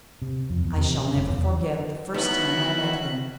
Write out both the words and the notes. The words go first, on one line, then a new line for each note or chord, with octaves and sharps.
I shall never forget the first time I met him.
C3
F2
E2
C3
C3
F#1
E2
F#3 B3 C#4 D#4 E4 F#4 F#6